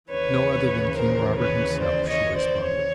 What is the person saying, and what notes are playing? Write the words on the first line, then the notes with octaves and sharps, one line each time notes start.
"No other than King Robert himself," she responded.
D#2 C#3 E3 B4 C#5
A#4 C5
B4 C#5
C5 D5
C#5 D#5
C5 D5
C#5